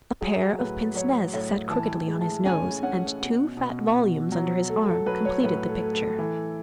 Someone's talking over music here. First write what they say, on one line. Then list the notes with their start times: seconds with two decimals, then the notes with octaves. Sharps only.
A pair of pince-nez sat crookedly on his nose and two fat volumes under his arm completed the picture.
0.21 F#3 G#4
0.59 A2 B4
0.95 F#3 C#5
1.33 A2 C#5
1.71 E3 A5
2.07 G#3
2.21 A5
2.45 C#4 G#5
2.83 C#4 F#5
3.20 B2
3.57 B2
3.94 B2
4.32 F#3
4.69 A3 A4
4.88 A4
5.06 F#3 B4
5.25 C#5
5.43 A2 B4
5.69 A4
5.81 A3
5.93 A4
6.19 E3